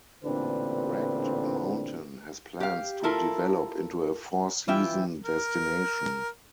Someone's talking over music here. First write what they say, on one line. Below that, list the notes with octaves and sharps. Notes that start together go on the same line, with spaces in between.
Ragged Mountain has plans to develop into a four season destination.
A1 A#2 D3 C4 D4 B4
G4 F5
E4 F4 A4 A#4
E3 F4 E5 G5
A#4